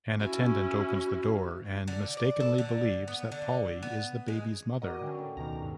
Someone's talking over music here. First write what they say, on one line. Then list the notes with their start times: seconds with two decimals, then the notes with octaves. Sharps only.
An attendant opens the door and mistakenly believes that Polly is the baby's mother.
0.20 C#4 E4 F#4
1.88 D3
2.17 D5
2.40 A4
2.58 D3
3.08 B3
3.32 D3
3.83 B3
4.28 G#3
4.82 F#4 A#4 D5 D#5
5.03 D3 C#4 G5
5.19 A2
5.37 D2 B2 D#3 A#5
5.62 G2